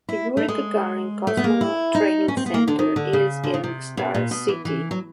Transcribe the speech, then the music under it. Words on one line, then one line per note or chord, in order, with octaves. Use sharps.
The Yuri Gagarin Cosmonaut Training Center is in Star City.
E4
A3
G#3
A3
B3
A#3
E4
D#4
C#4
C4
B3
A#3
D3
D#3
D3
C#3
D3
C#3
C3
B2
A#2
B2
E3
E3
F#3